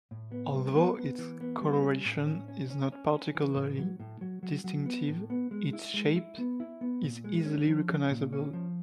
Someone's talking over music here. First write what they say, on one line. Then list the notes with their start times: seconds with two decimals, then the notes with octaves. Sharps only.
Although its coloration is not particularly distinctive, its shape is easily recognizable.
0.11 A2
0.32 B3
0.54 G3
0.75 B3
0.97 B3
1.18 E3
1.41 B3
1.61 G3
1.83 C#4
2.05 A2
2.26 C#4
2.48 C#4
2.70 C#4
2.92 C#4
3.13 C#4
3.35 E3
3.56 A2
3.78 F#3
4.00 A2
4.21 F#3
4.43 F#3
4.64 F#3
4.86 B3
5.09 A2
5.30 B3
5.51 G#3
5.73 E4
5.94 G#3
6.16 E4
6.38 B3
6.60 E4
6.81 B3
7.03 A#2
7.24 G#3
7.45 C#4
7.67 F3
7.89 C#4
8.10 A#2
8.33 C#4
8.53 F3